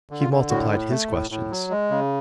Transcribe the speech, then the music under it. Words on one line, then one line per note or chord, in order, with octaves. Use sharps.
He multiplied his questions.
D3
F4
D3
A2 F#4
A2
A3
A2
A2
F#3
G#3
C#3